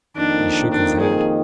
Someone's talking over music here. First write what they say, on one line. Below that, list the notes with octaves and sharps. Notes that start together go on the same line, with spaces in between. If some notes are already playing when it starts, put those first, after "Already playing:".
He shook his head.
F2 D#3 A#3 D4 D#4
D4
G#4